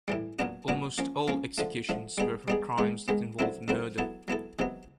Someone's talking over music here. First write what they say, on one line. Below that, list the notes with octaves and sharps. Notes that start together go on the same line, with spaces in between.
Almost all executions were for crimes that involved murder.
A2 E3 G3
A#2 F#3 B3 D4 F#4
A#2 F#3 B3 D4 F#4
F3 A#3 C#4
F3 A#3 C#4
D3 F3 A3
D3 F3 A3
G3 B3 D#4 G#4
G3 B3 D#4 G#4
D#3 G#3 B3
D#3 G#3 B3
D3 F#3 A3 C4 E4
D3 F#3 A3 C4 E4
F#3 B3 E4 A4
F#3 B3 E4 A4
C3 D#3 F#3 B3